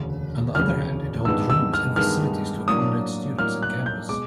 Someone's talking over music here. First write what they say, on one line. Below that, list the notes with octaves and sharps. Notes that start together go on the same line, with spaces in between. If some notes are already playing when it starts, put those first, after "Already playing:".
On the other hand it holds rooms and facilities to accommodate students in campus.
Already playing: E1 D2 C#3
E1 D2 C#3 F6
G2 D#3 G#3 B3 E6
E6
F6
G2 D#3 G#3 B3 F6
A2 F#3 A#3 D4 D#6
A2 F#3 A#3 D4 F6
F#6
G6
B2 G#3 D6